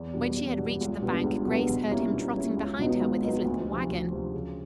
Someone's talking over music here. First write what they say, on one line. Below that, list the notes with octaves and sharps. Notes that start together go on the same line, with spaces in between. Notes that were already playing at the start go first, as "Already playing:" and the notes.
When she had reached the bank, Grace heard him trotting behind her with his little wagon.
Already playing: E2
B2 G3
E2
B2 G3
C#2
B2 G3 B3 D4
C#2
B2 G3 B3 D4
B2
G3 A#3 C#4 E4
B2
G3 A#3 C#4 E4
C#2
B2 F#3 B3 D#4
C#2
B2 F#3 B3 D#4
D2
C3 F3
D2
C3 F3
C#3